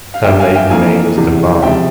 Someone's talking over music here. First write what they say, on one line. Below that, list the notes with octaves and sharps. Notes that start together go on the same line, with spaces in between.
Her maiden name is Demand.
F5
G1 G2 G3 E5 G5
F5 G#5
E5 G5
F1 F2 E3 A#3 F5 G#5
E2 C3 E3 G#3
C#2 C3 F3 G#3 E5 G5